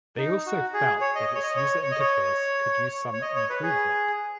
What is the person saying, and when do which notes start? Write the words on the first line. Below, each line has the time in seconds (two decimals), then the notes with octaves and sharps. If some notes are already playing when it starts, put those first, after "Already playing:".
They also felt that its user interface could use some improvement.
0.18 D#4
0.46 F#4
0.74 G#4
1.01 C#5
1.15 D#5
1.35 C#5
1.43 D#5
1.56 C#5
1.83 C#5
1.91 D#5
2.00 C#5
3.13 C#5
3.22 D#5
3.36 C#5
3.50 B4
3.63 G#4